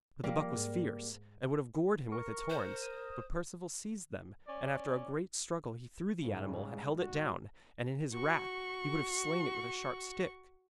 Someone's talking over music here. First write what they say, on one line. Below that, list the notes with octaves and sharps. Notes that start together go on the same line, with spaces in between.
But the buck was fierce, and would have gored him with its horns, but Perceval seized them, and after a great struggle he threw the animal, and held it down, and in his wrath he would have slain it with a sharp stick.
F3 G3 A#3 D5
G#2
A#4 C#6
C5
D#6
C#4 D5
G#2 C#3 G3
F#4
F#4 C#6